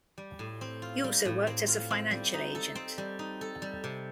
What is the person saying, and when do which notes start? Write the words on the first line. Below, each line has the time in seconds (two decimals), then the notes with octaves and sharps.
He also worked as a financial agent.
0.18 G3
0.39 A2
0.61 C4
0.82 F4
1.04 G3
1.25 A2
1.47 C4
1.68 F4
1.90 C4
2.11 G3
2.34 D#4
2.55 A4
2.75 C4
2.98 G3
3.19 D#4
3.41 A4
3.62 G3
3.84 C3